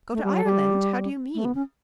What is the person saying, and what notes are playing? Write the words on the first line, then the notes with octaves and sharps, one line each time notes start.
"Go to Ireland!--How do you mean?"
A3
G3
F#3
G3
A3
B3
C#4